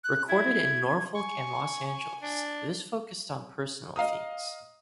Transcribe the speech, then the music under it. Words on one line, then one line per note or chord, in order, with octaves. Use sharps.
Recorded in Norfolk and Los Angeles, this focused on personal themes.
F#6
E4 G#6
G#5 C#6
D4
D#5 F5 A#5 D#6